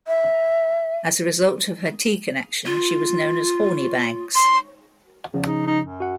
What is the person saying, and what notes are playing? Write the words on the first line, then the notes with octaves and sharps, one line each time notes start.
As a result of her tea connection, she was known as "Hornibags".
E5
F4
C6
E2 C#3 F3 C#4
D#4
D#4
F#2
F#4 F#5